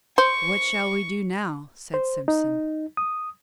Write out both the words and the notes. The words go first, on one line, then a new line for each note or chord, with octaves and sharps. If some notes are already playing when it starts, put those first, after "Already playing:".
"What shall we do now?" said Simpson.
C5 C#6
C5
D#4
D#6